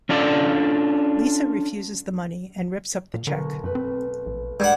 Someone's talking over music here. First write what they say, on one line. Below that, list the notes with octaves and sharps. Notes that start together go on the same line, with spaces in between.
Lisa refuses the money and rips up the cheque.
C#4 D4 F4 A4 D5
A#2 F5
B1 D3 C#4 A#4
F#2 A3 B4
C4
A#1
G2 G#3 F#5